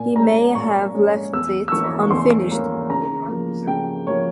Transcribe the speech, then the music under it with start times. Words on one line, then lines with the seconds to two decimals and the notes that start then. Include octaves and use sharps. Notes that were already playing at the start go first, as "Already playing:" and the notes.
He may have left it unfinished.
Already playing: A#2 G#5
0.16 G#3 C#4 A#5
0.55 A#2 C#6
0.95 G#3 C#4
1.33 E2 E6
1.68 E6
1.72 E3 A#3 C#4 C#6
2.02 C#6
2.11 E2 C6
2.50 E3 A#3 C#4
2.90 C#3 A#5
3.28 F3 A#3
3.67 C#3 G5
4.07 F3 A#3 C#5